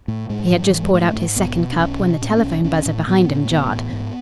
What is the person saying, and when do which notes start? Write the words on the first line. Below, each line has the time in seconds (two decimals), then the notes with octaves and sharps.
He had just poured out his second cup, when the telephone buzzer behind him jarred.
0.08 A2 A3
0.30 A2 G#3
0.50 G#2 E3
0.60 F#3
0.69 G#2 E3
0.83 G#3
0.93 G#2 A3
1.15 G#2
1.36 B1 B3
1.58 B2
1.73 D4
1.79 B1 C#4
2.00 B2
2.22 A2 C#4
2.30 B3
2.37 C#4
2.43 B1
2.64 B1 C#4
2.86 A2
2.98 A3
3.07 A2 B3
3.28 A2
3.45 A3
3.50 A1 B3
3.71 A2
3.93 G#2